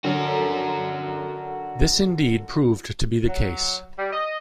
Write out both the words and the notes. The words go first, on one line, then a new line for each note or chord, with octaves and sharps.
This indeed proved to be the case.
D3 F#3 F#4 A4 A#4
F#3
G3
D#5